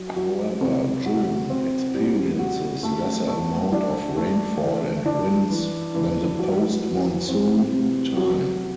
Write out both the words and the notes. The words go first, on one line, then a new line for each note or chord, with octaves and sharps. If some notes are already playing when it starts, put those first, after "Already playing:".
However, June experiences lesser amount of rainfall and winds than the post-monsoon time.
Already playing: F#3
F#3
C2
F#4
C4
G3
F#4
A3
A3
D4
A3
E3
D4
E3
E3
F#3
F#3
C4
C3
F#3